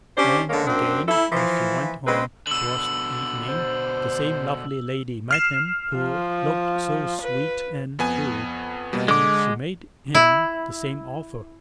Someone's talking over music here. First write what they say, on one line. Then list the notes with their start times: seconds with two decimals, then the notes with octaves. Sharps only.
And again as he went home, towards evening the same lovely lady met him, who looked so sweet and good, and she made him the same offer.
0.17 C#4 D4 G4 C5
0.50 D3 G#3 A#3 C#4
0.66 F#2 A#3 C4 D4
1.08 E4 A4
1.32 E3 F3
2.07 C#3 G#3 C4 B4
2.47 B2 D3 E6 F#7
3.48 C5
5.31 F6 C7 E7
5.97 F3
7.21 B4
7.99 F2 B3 G#5
8.93 B2 G3 A#3
9.08 D3 G#3 D6
10.15 E4